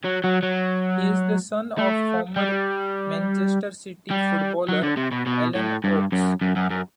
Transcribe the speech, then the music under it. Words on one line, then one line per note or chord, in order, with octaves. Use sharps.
He is the son of former Manchester City footballer Alan Oakes.
F#3
F#3
F#3
A3
G3
G3
F#3
D3
C3
B2
B2
A2
G2
F#2
F#2
F#2
F#2